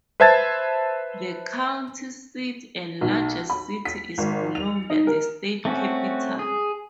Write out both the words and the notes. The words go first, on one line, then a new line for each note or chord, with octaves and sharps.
The county seat and largest city is Columbia, the state capital.
B4 C5 E5 A5 G#6 A6
B1
B5
B6
G#1
F7
D#4
A#4
A3 C4 C#4 F#4
G#4